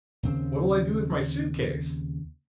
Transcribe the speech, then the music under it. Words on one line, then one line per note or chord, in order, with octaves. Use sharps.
'What'll I do with my suit-case?'
D#2 C#3 C4